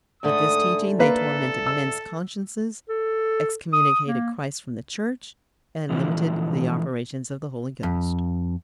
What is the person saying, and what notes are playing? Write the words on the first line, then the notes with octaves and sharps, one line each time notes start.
With this teaching they tormented men's consciences, excommunicated Christ from the Church, and limited the operations of the Holy Ghost.
G#2 D3 A3 D#6
A#3 A4 B4 F5
E6
A4
D#6
A#3
E2 A#2 D3 E3 F3
F2